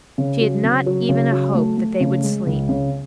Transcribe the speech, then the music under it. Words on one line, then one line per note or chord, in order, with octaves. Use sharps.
She had not even a hope that they would sleep.
C#3
F#3
C#3
F#3
C#3
F#3
A3
A3
C#3
G#3
C#2
C#3